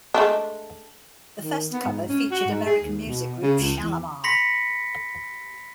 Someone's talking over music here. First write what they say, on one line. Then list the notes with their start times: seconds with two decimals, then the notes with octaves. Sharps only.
The first cover featured American music group Shalamar.
0.14 G#3 A3 D4
1.40 D#3
1.72 B3
1.86 G#2
2.09 C#4
2.31 F#4
2.46 G#2
2.66 G#4
2.81 D#2
3.06 B2
3.42 C#3
3.59 C#2
3.78 E2
4.24 B5 C6 A#6 B6 C#7